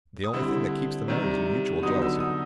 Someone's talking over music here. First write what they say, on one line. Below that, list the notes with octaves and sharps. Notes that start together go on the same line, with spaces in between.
The only thing that keeps them out is mutual jealousy.
D#6
D3 G3 C4 E4 E6
C3 D#3 G3
D3 F#3 B3 D#4 D#6
E6
D#6